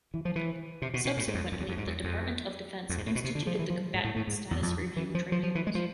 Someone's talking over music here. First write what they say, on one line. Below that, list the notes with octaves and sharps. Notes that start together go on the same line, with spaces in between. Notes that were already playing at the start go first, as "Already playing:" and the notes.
Subsequently the Department of Defense instituted the Combatant Status Review Tribunals.
E3
F3
E3
C3
B2
B2
A2
G#2
F2
F2
E2
F2
G#2
E2
F2
F2
G#2
A2
B2
C3
D3
F3
E3
F3
G#2
A2
A2
G#2
E2
F2
E3
F3
F3
F3
E3
G#3
F3